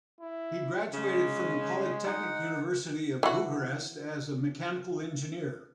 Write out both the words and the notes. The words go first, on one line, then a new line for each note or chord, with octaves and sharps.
He graduated from the Polytechnic University of Bucharest as a mechanical engineer.
E4
C#3 G#3
D#4 F#5
E3 F#4